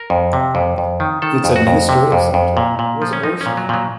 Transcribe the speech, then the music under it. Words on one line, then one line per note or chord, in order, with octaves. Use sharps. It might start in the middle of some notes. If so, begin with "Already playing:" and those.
Its administrative centre was Orsha.
Already playing: A#4
F2
C3
F2
F2
D#3
D#3 A4
F2
F#4
F2
C3
F2
F2
A#2
A#2
F3
C#4
F3 D#4
C#4
A#2
F#3
A#2 F3 F#3